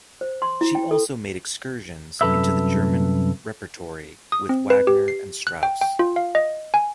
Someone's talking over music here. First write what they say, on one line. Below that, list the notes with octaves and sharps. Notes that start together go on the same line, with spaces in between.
She also made excursions into the German repertory with Wagner and Strauss.
C5
C6
E4
G5
A4
C2 F#2 A#2 A4 B4 E5
D#6
C4
B4
G4
C7
F#6
G5
G5
F4
F5
D#5
G#5